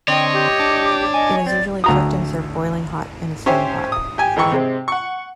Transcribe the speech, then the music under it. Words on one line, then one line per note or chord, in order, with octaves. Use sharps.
It is usually cooked and served boiling hot in a stone pot.
D3 C4 C#5 D#5 G5
G4
D4 A5
D#5 G#5
C4 D5
D2 A#5 D#6
C#4 G4 C5 E5 G#5
D#6
G4 G#5
G#2 D#3 E3 G5 C#6
C3 G#3 C4
F#5 C#6